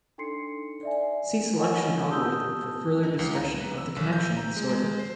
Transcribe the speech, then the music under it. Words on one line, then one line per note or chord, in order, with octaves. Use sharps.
See selection algorithm for further discussion of the connection with sorting.
D4 D#4 A4 C6 C7 C#7
D5 E5 G#5
C#5 D#5 F#5 G#5 C#6
G4 A5 D#6 E6 G6 G7
D#4
C#2
A#5
B4
E6
B1
G6
A#5
G#3
G#3
C5